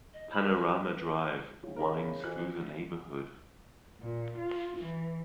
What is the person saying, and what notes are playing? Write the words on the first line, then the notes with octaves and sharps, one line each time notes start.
Panorama Drive winds through the neighborhood.
D#5
B5
A#4
F#4
G5
B4
C#3
C#3 A#4 B5
F2 E3 F#4 F#6
A#2
F4
E3